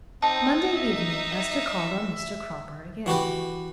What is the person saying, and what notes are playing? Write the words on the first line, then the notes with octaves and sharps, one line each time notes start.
Monday evening Esther called on Mr. Cropper again.
C4 D#4 A5
E5
E3 F#4 G4 B4